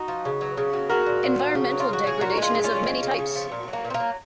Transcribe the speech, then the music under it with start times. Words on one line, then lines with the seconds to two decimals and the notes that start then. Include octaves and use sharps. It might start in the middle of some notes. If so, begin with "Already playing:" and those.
Environmental degradation is of many types.
Already playing: D#4 F#4
0.08 F3
0.25 C#3
0.41 F#3
0.57 C#3
0.73 F#3
0.90 G#3 F#4 A#4
1.06 A#2
1.23 A#2
1.39 F3
1.55 C#3
1.72 F#3
1.80 F4
1.88 C#3 F#4
2.04 F#3 G#4
2.20 A#2 F#4 A#4
2.37 G#3
2.42 F4 G#4
2.54 A#2
2.64 C#4 F4
2.70 G#3
2.86 G#3
3.02 C#3
3.19 C#3
3.35 F3
3.52 A#2
3.68 F#3
3.73 A#3
3.84 A#2
3.90 C4
3.94 A#3
4.00 F#3